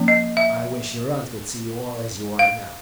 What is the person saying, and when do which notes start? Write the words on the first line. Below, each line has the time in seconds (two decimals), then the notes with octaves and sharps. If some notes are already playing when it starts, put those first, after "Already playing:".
I wish your aunt could see you all as you are now.
Already playing: F3 A#3 C#4
0.08 D#5
0.37 E5
2.39 F5